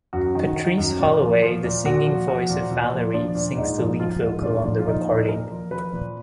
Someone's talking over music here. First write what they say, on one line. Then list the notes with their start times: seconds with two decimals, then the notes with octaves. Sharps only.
Patrice Holloway, the singing voice of Valerie, sings the lead vocal on the recording.
0.13 F#2 F#4
0.35 D#3
0.56 D#3
0.78 F#2
0.99 A#2
1.20 F3
1.42 F3
1.63 A#2
1.85 A#2 F#4
2.07 F3
2.28 F3 F#4
2.49 A#2
2.71 A#2
2.92 F3
3.14 F3 D4
3.35 A#2
3.57 G#2 D#4
3.78 F3
4.00 F3 F4
4.21 G#2
4.43 A#2 D4
4.64 F3
4.79 F4
4.85 F3 D#4
5.07 A#2
5.28 A#2 A#4
5.51 F3
5.71 F3 B4
5.93 A#2